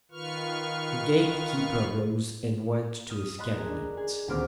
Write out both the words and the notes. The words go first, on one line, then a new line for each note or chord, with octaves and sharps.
The gate-keeper rose and went to his cabinet.
D#3 F4 B4 C#6 F6
D#6 F6
D#5 A5 B5 C6 F#6 B6
G#4 A#4
D4
G#4
D#1 D2 B3 C5 D6 F6